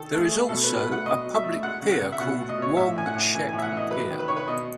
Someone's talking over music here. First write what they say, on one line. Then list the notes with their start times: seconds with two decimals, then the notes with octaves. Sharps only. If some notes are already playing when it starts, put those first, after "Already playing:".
There is also a public pier called "Wong Shek Pier".
Already playing: D#3 A4
0.11 A3 A4
0.20 G#4
0.30 A3
0.49 B2 A4
0.63 B2 B4
0.77 B4
0.87 A3 F#5
1.06 B2 D#5
1.26 F#3
1.34 E5
1.44 A3
1.63 G#3 F#5
1.82 C#3
1.92 F#5
2.01 C#3
2.12 E5
2.20 B2 F#5
2.40 A3
2.49 D#5
2.58 B2 C#5
2.77 A2 E5
2.96 A2 G#5
3.06 F#5
3.15 A2
3.34 E3 G#5
3.49 A2 G#5
3.58 E5
3.62 F#5
3.72 E3
3.77 D#5
3.91 F#3 B4
4.10 D#3
4.19 B4
4.28 D#3 C#5
4.37 B4
4.48 B2 D#5